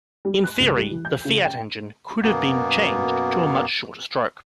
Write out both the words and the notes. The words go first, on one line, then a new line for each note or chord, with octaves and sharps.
In theory, the Fiat engine could have been changed to a much shorter stroke.
G3
F#6
C#2
G3
E3
G6
C#3
G5
F#2 B2 A#3 B3